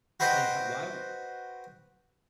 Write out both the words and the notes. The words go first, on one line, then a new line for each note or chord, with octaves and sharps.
And ho why
F#4 B4 C5 D#5 G5